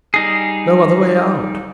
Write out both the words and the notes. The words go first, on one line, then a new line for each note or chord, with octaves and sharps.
No other way out.
G3 D#4 G#4